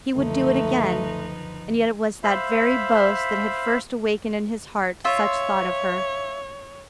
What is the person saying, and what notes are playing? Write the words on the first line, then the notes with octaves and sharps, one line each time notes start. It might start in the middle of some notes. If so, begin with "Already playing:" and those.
He would do it again, and yet it was that very boast that had first awakened in his heart such thought of her.
C#2 F#2 D3 F3 A3 D#4 B4
C5 E5 F5 B5
F4 C#5 E5